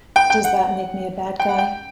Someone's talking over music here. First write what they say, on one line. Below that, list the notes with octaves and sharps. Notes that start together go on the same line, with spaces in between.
Does that make me a bad guy?
G5
G5
F#5
G5
F#5
G5